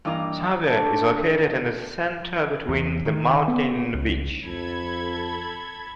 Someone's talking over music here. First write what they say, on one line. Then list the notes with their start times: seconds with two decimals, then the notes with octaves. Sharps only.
Sabya is located in the center between the mountain and the beach.
0.05 G2 E3 A#3 D4 D#5 A#5
0.66 A3 D4
2.69 E2
3.06 D#3
3.48 B3
3.95 C#2
4.46 F2 A4 B5 G#6